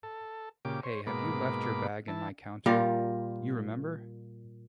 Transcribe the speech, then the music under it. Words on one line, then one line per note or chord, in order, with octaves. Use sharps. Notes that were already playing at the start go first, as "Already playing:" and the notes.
Hey, you left your bag in my counter! You remember?
A4
A#2 C#3 G4 D6
C5 C#5
G#2 B2 A#3 B5 D6
E3 A5
A#2 G3 F4 A#4